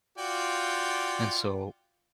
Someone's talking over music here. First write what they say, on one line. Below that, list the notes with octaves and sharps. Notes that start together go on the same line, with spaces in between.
and so,
F4 F#4 D5 G5